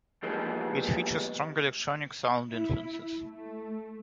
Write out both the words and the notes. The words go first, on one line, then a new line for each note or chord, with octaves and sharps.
It features strong electronic sound influences.
E3 F3 G3 G#3 A#3 B3
E4
A3